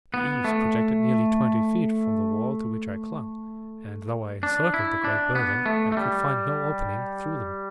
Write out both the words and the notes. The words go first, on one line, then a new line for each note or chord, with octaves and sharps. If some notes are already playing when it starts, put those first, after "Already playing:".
The eaves projected nearly twenty feet from the wall to which I clung, and though I encircled the great building I could find no opening through them.
B3
A3
D4
E4
D4
B3
A3
A3
G3